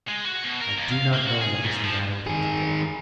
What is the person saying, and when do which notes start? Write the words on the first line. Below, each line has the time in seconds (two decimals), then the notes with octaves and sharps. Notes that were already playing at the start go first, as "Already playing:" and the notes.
I do not know what was the matter with him to-day.
0.09 G#3
0.26 F#4
0.44 B2
0.61 A#4
0.78 D#2
0.92 F5
1.13 A#3
1.27 F#4
1.41 G#4
1.65 G#2
1.84 F3
2.27 D#3 G#4